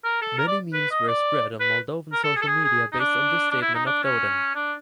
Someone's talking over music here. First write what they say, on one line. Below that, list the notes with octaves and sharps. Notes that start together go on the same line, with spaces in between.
Many memes were spread on Moldovan social media based on this statement of Dodon.
A#4
A4
A#4
D5
B4
D#5
D5
B4
A#4
A4
G#4
A4
G#4
G#4
D#4
D4
D4
E4
D#4
D4
C#4
D4